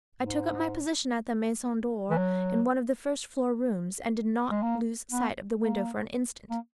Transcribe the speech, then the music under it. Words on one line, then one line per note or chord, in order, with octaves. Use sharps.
I took up my position at the Maison-d'or, in one of the first-floor rooms, and did not lose sight of the window for an instant.
G#2
E3
F#3
G#3
A#3
B3
A#3
A#3